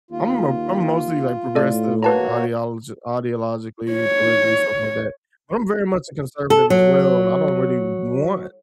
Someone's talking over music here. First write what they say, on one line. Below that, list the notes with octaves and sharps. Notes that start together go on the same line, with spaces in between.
I'm m I'm mostly, like, progressive, like, ideolog ideologically, politically, stuff like that, but I'm very much a conservative as well and I don't really want,
D#2 F4
A2 A4 D5
A#3 F#4 B4 C#5 A5 A#5
C#5
A4
F#3